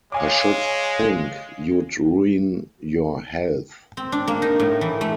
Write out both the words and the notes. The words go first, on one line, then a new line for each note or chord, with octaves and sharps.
I should think you'd ruin your health.
G#3 C#5 F5 G#5 D6
C4
D4
A#3
D#4
A2
E3
A3